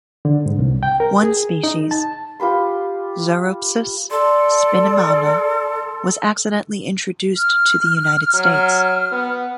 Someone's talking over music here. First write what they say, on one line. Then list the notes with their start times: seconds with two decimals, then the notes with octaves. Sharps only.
One species, "Zoropsis spinimana", was accidentally introduced to the United States.
0.25 D3
0.46 G#2
0.59 C2
0.83 G5
1.00 A#4
1.23 G#4
1.64 D#4
1.91 A5
2.40 F4 G4 B4 C6
4.11 A4 D5 C6
7.37 F6
8.34 F#3
9.12 B3